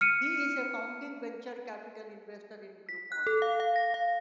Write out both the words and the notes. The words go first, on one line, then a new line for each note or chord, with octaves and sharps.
He is a founding Venture Capital Investor in Groupon.
F6 C#7 D#7
B6
F#6
A4
F5
F5
A#6
F5